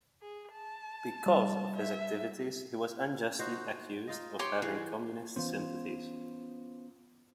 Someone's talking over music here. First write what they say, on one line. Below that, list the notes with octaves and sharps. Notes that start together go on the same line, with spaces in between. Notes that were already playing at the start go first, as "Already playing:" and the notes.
Because of his activities, he was unjustly accused of having communist sympathies.
G#4
A5
G3
E5
D#4 F#4 C5
D#4 F4 D#5
G4 C#5 C6
E3 G#4 C#5 F#5
E3 B3 C#4 F4 C5